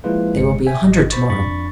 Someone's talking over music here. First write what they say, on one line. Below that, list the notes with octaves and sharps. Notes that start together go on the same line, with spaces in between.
"There will be a hundred to-morrow."
F3 G#3 A#3 E4 F4 B4
G1 G#3 C#7
E5 G5 G#5
G#1 D#5
C5 B5 C#6 A6
F2 D4 B5 C#6 A6